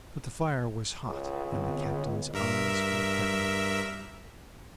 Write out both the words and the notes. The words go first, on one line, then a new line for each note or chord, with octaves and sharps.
But the fire was hot, and the captain's eyes were heavy.
C#2
D3 B3 C4
G2 A#4 E5